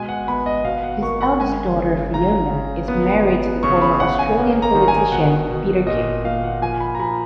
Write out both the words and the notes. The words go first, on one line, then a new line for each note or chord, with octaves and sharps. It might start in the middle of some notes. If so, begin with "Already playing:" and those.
His eldest daughter, Fiona, is married to the former Australian politician Peter King.
Already playing: B2 G#3 G#5
F#5
B3 B5
D#5
B2 F5
F#5
A#3 C#6
F#5
G#3 G#5
C#3
C#3 A#5
C#3
B3
B3
C#3 C#6
B5
C#3 F#5
G#5
A#3
A#5
D#3
G#5
B2 F#5
B2
A#2 D#5
A#2 F5
F#5
F3 G#5
B5
A#5
F3 B5